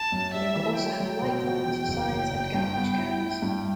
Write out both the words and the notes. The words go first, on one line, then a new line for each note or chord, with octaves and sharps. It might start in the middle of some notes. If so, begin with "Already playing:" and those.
They will also have light poles, signs, and garbage cans.
Already playing: A5
F#2
G3 E5
E3
F#3 G5
F#3
B2
B2
E2
F#1
F#3
F#1
G2
B3
E4
E4
G2